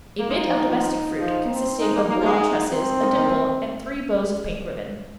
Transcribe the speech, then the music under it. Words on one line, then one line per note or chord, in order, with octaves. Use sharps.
A bit of domestic fruit, consisting of blonde tresses, a dimple, and three bows of pink ribbon.
A#3
G#3 D#4
F3
D#3
F3
F3
C4
G#3 D#4
A#3
A#3 D#4
F3
G#3
C4
D#3
C3
D#3